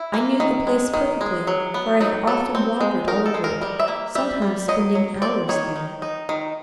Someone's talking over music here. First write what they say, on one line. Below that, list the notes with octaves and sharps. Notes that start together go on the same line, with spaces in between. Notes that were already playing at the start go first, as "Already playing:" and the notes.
I knew the place perfectly, for I had often wandered all over it, sometimes spending hours there.
Already playing: E4
A#3
D#3
G#3
D#3
G#3
F#3
B3
F#3 D#4
F#3 A4
C4
G#3
D#4 A#4
A4
G#3
A#4
G3 A#4
E5
A#3
G3 E5
G3
F#3 D#5
F#3
C4 D5
D#3 C#5
D#3
D#4
D#3